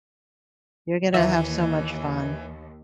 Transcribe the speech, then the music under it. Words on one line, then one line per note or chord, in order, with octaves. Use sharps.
You're gonna have so much fun.
D#2 E3 E5